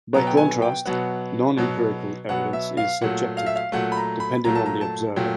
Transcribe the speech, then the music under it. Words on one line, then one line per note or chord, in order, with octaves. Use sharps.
By contrast, non-empirical evidence is subjective, depending on the observer.
B2 F#3 B3 A#5
G5
G#5
G5
B2 F#3 B3 F#5
B2 F#3 B3
B2 F#3 B3 F#5
E5
F5
A#2 F#3 A3 F#5
F5
E5
F5
A#2 F#3 A3 F#5
B5
A#5
B5
A#2 F#3 A3 A#5
A5
A#5
A5
A#2 F#3 A3 G5